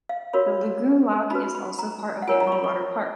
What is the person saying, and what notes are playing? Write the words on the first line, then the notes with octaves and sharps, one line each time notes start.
The lagoon Lac is also part of the underwater park.
F5
F#4 A#4 C#5 B5
D#4 F#4 B4 B5
B5
A#5
F#5
F4 A#4 C#5 G#5
A#5
C#6
B5
C#6